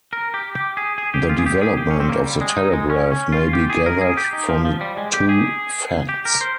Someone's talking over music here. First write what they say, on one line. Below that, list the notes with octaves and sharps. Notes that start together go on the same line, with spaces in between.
The development of the telegraph may be gathered from two facts.
A#4
G4
G4
G#4
G#4
G4
F4
G#4
G4
G#4
G4
C#4
C4
A#3
G3
G#3
D#4
G#3
C#4
C#4
F4
G4
G#4
A#4
G#4
G4
D#4
F3
F3
G3
G#3
G4
G#4
G4
A#4
C5